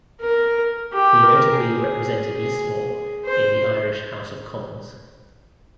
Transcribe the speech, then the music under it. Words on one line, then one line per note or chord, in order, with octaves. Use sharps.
He notably represented Lismore in the Irish House of Commons.
A#4
G4
A#4
G#4
C5